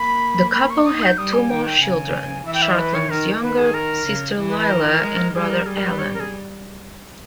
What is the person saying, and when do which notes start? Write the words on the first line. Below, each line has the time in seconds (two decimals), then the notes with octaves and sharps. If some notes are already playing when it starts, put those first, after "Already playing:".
The couple had two more children Charlton's younger sister Lilla and brother Alan.
Already playing: A#3 B5
0.53 B5
0.70 C#6
0.85 D#4 D#6
1.02 G6
1.17 G3 D#6
1.33 G#5
1.50 D#3 G5
1.66 G5
1.81 C#3 G#5
2.46 E3 E5
2.54 G5
2.62 E5
2.70 D#5
2.78 B4
2.94 C#5
3.10 D#3 A#4
3.42 D#3 B4
3.58 G#4
3.74 A#4
4.06 C#3
4.38 E3
4.49 B4
4.60 B4
4.70 A#4
5.02 G#3
5.34 G3 G#4
5.50 A#4
5.66 G3 G#4
5.77 A#4
5.88 B4
5.98 C#5
6.13 A#4
6.20 G#4